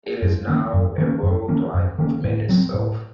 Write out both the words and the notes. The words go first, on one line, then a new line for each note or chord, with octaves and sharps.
It is now a world wide movement itself.
F#2
D#3 A#3 C#4
F#2
D#3 A#3 C#4
F#2
D#3 A#3 C#4
F#2
D#3 A#3 C#4
A2
F#3 C4
A2